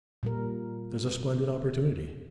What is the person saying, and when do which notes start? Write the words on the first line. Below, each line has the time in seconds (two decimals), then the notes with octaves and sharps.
There's a splendid opportunity.
0.23 A#2 G3 A#4